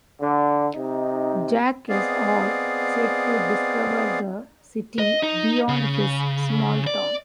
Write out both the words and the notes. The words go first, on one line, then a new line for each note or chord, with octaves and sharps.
Jack is all set to discover the city beyond his small town.
D3
C3 D#4
B3 C4 G#4 D5 D#5 F5
D#5
D#4
C#3
D5